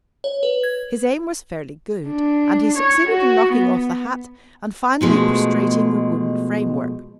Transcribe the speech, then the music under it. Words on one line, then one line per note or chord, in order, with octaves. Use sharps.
His aim was fairly good, and he succeeded in knocking off the hat and finally prostrating the wooden framework.
C#5
B4
G#6
D4
C#5
F#4
B3
B2 F3 G#3 A3